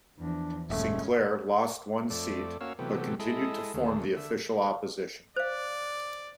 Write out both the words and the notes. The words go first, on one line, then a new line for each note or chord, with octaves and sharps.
Sinclair, lost one seat, but continued to form the official opposition.
E2 F3 D4
D#1 F#2 G#3 A3 C#4
F2 A3 D5
A#3 C#4 F#4 C#5 F5 E6
C3 E3 F#3 A3 B3 G4
G#3 E4 A4 D#5
D#2 D3 G#3 A3
D3 E5
C5 D5 F5